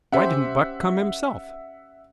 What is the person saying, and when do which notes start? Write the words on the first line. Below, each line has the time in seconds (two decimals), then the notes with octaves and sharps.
"Why didn't Buck come himself?"
0.12 C#4 G4 C5 E5 F#5